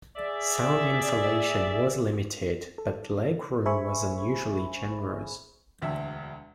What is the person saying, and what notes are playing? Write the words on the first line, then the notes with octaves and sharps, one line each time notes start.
Sound insulation was limited, but leg room was unusually generous.
G#4 D5 E5
A4
G#4 C5 E5 G#5 B5 C#6
E1 D2 E5